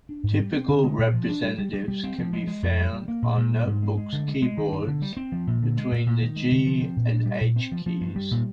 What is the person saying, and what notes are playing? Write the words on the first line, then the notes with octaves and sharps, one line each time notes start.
Typical representatives can be found on notebook's keyboards between the "G" and "H" keys.
D4
G#2
G3
C4
D3
G#3
A#2
F3
D4
G3
G3
G3
G3
C4
F3
G#3
G#3
F2
G3
G3
A#3
A#2
A#2
G3
G#2
G#3
G#3
D3
G#3
G#3
D#3
G2
D3
G3
C4
F3
A#2
D3
G#3
A#2
A#2
D#3
G#3
D3
F3
C4
A#2
D4
G3
A#2
C4
F3
F3
G2
G3
A#2